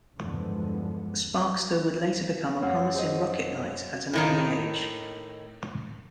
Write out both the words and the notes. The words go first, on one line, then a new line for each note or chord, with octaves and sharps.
Sparkster would later become a promising Rocket Knight at an early age.
E2 G2 D3 F3 G#3 B3
F#2 F#3 C#4 F5
G#4 C5 D#5
A2 D#3 D#4